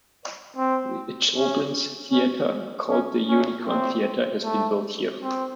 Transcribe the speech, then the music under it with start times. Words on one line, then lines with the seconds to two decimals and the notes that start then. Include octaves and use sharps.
A children's theatre called The Unicorn Theatre, has been built here.
0.56 C4
1.35 C#4
2.11 C#4
2.89 C#4
3.29 C#4
3.66 C4
4.44 A3
5.22 C4